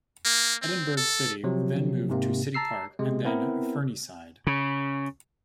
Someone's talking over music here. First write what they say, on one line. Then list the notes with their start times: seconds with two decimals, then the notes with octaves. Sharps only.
Edinburgh City then moved to City Park and then Fernieside.
0.25 A#3
0.62 C4
0.97 A4
1.44 C3 F3 F#3
2.09 G#2 C3 A#3
2.54 A5 A#5 E6 C7
2.99 C3 G#3
3.25 B3 C4 E4 A#4
4.47 C#3